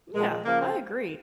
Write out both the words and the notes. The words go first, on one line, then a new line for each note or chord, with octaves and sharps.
Yeah, I agree.
A#2 F3 G#3
G#3
C#3 F3 A#3
C4